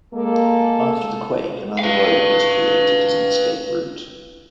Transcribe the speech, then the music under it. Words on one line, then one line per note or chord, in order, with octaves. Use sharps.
After the quake another road was created as an escape route.
G#3 A#3 A4
B4 F5